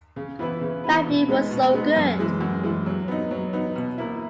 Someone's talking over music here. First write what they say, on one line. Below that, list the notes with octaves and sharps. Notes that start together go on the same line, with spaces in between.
Matthew was so good.
C#3
E3 B3 E4 B4
C#3
E3 B3 E4 B4
B2
G#3 B3 D#4
B2
G#3 B3 D#4
F#2
E3 G#3
F#2
E3 G#3
F#3
B3 D#4
F#3
B3 D#4
B2
A#3 E4